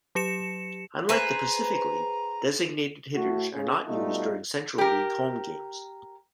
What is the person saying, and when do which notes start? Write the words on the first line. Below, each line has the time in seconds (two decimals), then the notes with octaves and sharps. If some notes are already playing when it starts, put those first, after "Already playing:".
Unlike the Pacific League, designated hitters are not used during Central League home games.
0.15 F#3 G4 C#7 E7
1.09 G#4 B4 C5 A#5
3.15 A2 A3 F#4
3.53 C#3
3.88 B2 G3 A3 D#4 F4
4.78 G4 A#4